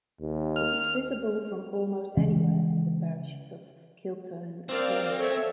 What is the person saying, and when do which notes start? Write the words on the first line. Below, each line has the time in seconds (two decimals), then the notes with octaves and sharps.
It is visible from almost anywhere in the parishes of Kiltearn and Alness.
0.21 D#2
0.56 F6
2.17 C#3 E3 G#3 C#4
4.69 C4 A#4 D5 F5
5.16 A4 C#5 E5